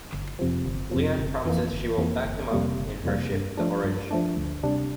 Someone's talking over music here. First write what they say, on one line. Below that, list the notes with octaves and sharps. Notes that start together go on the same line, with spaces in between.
Leann promises she will back him up in her ship, the "Orage".
G1
F2 C3 F3
G1
F2 C3 F3
G1
F2 E3 A#3
G1
F2 E3 A#3
G1
F2 C3 G3 A#3
G1
F2 C3 G3 A#3
G2
F3 A3 D4
G2
F3 A3 D4
D2
C3 G3 D4